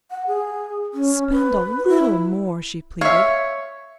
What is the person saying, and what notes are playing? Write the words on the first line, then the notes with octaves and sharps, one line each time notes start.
"Spend a little more," she pleaded.
F#5
G#4
C#4
B4
E4
C#5 E5 F5